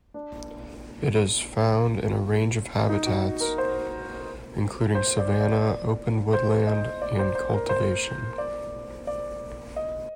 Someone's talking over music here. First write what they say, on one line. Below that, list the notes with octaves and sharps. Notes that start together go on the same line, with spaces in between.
It is found in a range of habitats including savanna, open woodland, and cultivation.
D4
D#4
F#4
A#4
C5
C5
D5
D5
C5
D#5
D5
C5
C5
A#4
C5
D5
D5
D#5